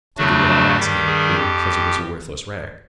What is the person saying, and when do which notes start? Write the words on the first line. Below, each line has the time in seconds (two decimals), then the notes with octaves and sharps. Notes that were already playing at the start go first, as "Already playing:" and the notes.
I took it without asking, because it was a worthless rag.
0.17 E2 C#3 F#3 A3 D4 F#4
0.77 G2 D#3 G3 G4
1.06 G#4
1.36 F2 G4